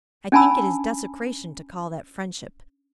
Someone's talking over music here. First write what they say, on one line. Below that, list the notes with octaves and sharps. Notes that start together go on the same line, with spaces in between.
I think it is desecration to call that friendship.
C#4 D4 G#5 A5 B5 E6